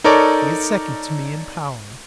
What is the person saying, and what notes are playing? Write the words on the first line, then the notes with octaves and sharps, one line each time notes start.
He is second to me in power.
D#4 A4 A#4 C#5 D5